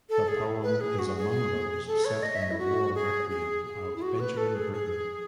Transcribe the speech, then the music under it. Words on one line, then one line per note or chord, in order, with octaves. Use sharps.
The poem is among those set in the "War Requiem" of Benjamin Britten.
A4
G#4
B4
G#4
F#4
G#4
A4
C#5
D#5
E5
D#5
E4
F#4
G#4
G#4
G#4
E4
F#4
B4
A4
G#4
G#4